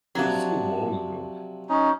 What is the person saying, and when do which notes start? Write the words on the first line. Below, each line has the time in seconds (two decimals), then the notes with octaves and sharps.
It's so long ago.
0.15 C3 F3 F#3 D4 F#4
1.69 C#4 D#4